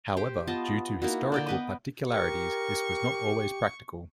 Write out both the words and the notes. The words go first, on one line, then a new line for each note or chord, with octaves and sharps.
However, due to historical particularities, this was not always practical.
G4 C5 G5
B3 F4 D#5 A5
A#3 D#4 E4 F#4
D3 D5 G5
B3 B4 D#5
G4 A#4 C#6